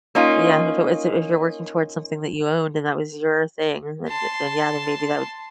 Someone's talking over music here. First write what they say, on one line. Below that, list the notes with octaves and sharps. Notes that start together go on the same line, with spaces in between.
Yeah. If it was if you're working towards something that you owned and that was your thing, then then then, yeah, then maybe that would
A#3 C#4 D#4 F4
A5 C6